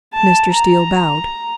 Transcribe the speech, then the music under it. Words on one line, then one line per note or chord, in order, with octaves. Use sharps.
Mr. Steele bowed.
A5
A#5